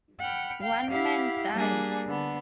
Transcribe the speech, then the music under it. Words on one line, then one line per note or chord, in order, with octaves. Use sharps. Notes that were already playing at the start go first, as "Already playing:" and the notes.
One man died.
F#5 G5 B5 F6
F5 G5
E4 G4 F5 F#5
G3 A#3 D4 G#4
D3 B3